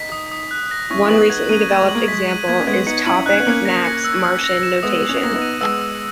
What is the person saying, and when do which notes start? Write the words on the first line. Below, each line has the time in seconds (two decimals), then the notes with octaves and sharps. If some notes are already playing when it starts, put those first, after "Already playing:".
One recently developed example is Topic Maps Martian Notation.
Already playing: D#4 B6
0.12 D#6
0.32 D#6
0.51 F#6
0.71 A#6
0.90 C#4 E4 C#6
1.04 E4
1.10 B3 D#4 F#7
1.30 B3 D#4 G#6
1.49 A#3 C#4 D#7
1.69 A#3 G#6
1.83 G#3
1.89 F#7
1.95 A#3
2.08 G#3 B6
2.28 D#7
2.48 A#3 G#6
2.60 C#4
2.67 G#3 B3 G#6
2.87 B3 D#4 C#7
3.06 C#4 E4 F#7
3.26 D#4 F#6
3.33 C#4
3.40 B3
3.45 A#3 C#4 F#7
3.65 A#6
3.85 C#7
4.04 E6
4.24 E6
4.44 A#6
4.63 E7
4.83 G#3 B3 D#6
5.02 F#7
5.09 C#4
5.17 B3
5.22 A#3 C#4 A#6
5.35 B3 D#4
5.42 D#7
5.61 G#3 B3 E6
5.81 E6